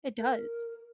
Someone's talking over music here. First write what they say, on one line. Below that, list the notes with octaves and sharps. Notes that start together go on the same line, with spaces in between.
It does.
A#4